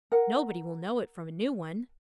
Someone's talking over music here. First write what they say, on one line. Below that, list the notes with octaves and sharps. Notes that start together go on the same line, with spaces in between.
Nobody will know it from a new one.
A#4 F#5